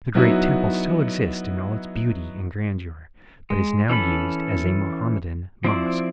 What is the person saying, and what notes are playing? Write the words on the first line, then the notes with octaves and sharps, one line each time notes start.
The great temple still exists in all its beauty and grandeur, but is now used as a Mohammedan mosque.
F#3 B3 D#4 E4 F#4
G#3
E3 C#4 A4 B5
F3 C4 E4 D5